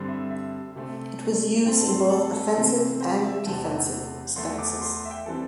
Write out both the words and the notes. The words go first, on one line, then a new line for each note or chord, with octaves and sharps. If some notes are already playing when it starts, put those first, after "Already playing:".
It was used in both offensive and defensive stances.
Already playing: G2 D3 G3 C4
E5
E5
C3 A3 C4
A2 A3 C4 G5
A5
C6
C6
A4
A4
C3 E3 A3 C4
C5
D5
E5
E2 C3 A3 C4 A5
E2 E3 A3 C6
D6
C6
C6
E5
G5
E3 G3 C4 A4